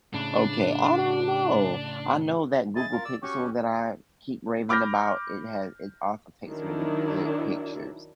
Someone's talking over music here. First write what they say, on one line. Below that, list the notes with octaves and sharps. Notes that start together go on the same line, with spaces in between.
okay, I don't know. I know that Google Pixel that I keep raving about, it has, it also takes really good pictures.
A2 C#3 D4
E4 G#4 D#5 A6
F4 A#4
D5 E6
C#4 F#4 G4 C#6
B5 D6 F6 G6 A#6
D#3 F#3 D4 E4